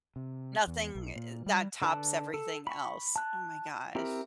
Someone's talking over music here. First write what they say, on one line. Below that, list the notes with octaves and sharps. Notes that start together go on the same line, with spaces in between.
Nothing er, that tops everything else. Oh, my gosh.
C3
E2
B1
A#2
G3
D3 B4 A5
A4
B5 C#6
A5 F#6
C4 E4 G4 A#4